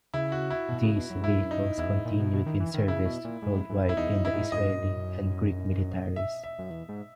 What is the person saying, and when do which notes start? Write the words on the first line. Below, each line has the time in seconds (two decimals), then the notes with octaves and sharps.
These vehicles continued in service worldwide in the Israeli and Greek militaries.
0.14 C#3 E4
0.32 F#4
0.50 E4
0.69 B2
0.83 C#3
0.96 B2
1.10 F#2
1.21 G#2 E4
1.33 F#2
1.51 D#4
1.78 E2 E4
1.86 F#2
1.92 G#2
2.05 A#2
2.20 B2
2.33 B2
2.46 D#3
2.60 E3
2.74 D#3
2.87 C#3 E4
3.05 B2
3.25 A#2
3.42 G#2
3.69 F#2
3.89 E4
3.97 E2 D#4
4.08 G#2
4.15 F#2
4.25 E4
4.33 G#2
4.52 F#2 D#5
6.16 E5
6.44 E5
6.59 F#2
6.70 E2
6.89 G#2